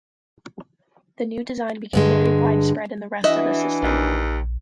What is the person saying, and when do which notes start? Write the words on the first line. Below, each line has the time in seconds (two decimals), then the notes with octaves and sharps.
The new design became very widespread in the rest of the system.
1.93 G2 D3 G#3
3.24 E3 D4 F#4 D#5 E5
3.83 A#1 D#2